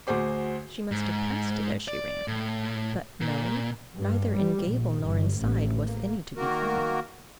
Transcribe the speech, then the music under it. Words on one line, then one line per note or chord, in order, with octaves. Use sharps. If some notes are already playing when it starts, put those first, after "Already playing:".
She must have passed it as she ran--but no--neither in gable nor in side was any to be found.
D2 F#4 G#4 C5 D6
G#2
D5
A2
A#2
G2
G3
A#1
G1
A1
A#3
D#3 A#3 F#4 A#4